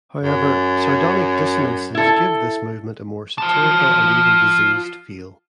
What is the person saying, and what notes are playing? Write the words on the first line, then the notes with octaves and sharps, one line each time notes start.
However, sardonic dissonances give this movement a more satirical and even diseased feel.
F#2
E4 A4
F4 A5